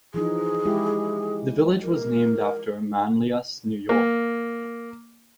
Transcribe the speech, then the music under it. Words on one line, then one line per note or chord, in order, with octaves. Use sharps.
The village was named after Manlius, New York.
E3 F3 D#4 G#4
G#3 E4 G4
A#4
A#3